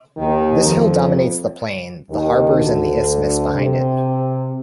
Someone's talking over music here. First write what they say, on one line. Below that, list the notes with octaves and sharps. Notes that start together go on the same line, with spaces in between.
This hill dominates the plain, the harbours and the isthmus behind it.
D#2 D#3
F2 F3
D#2 D#3
D2 D3
C3